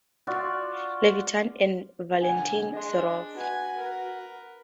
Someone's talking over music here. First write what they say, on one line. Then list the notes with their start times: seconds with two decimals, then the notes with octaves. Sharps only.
Levitan, and Valentin Serov.
0.27 F4 F#4 D5 E5
2.21 B1 D3 F#5 G#5
2.74 D4 G#4 D#5 C6
3.36 F#4 B4 G#5
3.77 A#4 B4